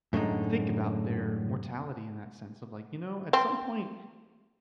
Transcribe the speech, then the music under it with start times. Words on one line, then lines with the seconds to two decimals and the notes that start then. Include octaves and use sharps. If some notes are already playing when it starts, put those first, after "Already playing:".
think about their mortality in that sense of, like, "You know, at some point,
0.13 F#2 A2 D3 G#3 D#4
3.33 C4